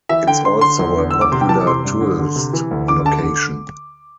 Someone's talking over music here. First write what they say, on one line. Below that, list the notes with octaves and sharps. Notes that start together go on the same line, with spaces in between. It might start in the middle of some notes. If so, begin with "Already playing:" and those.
It's also a popular tourist location.
E3 E5
D3 G5
D3 C6
D3 C6
E2
D3
E2 E6
D6
C3 C6
G5
E3 A5
C3 C6
G2
D3
D3
C3
E3
D2
D3 D6
D3 A5
D3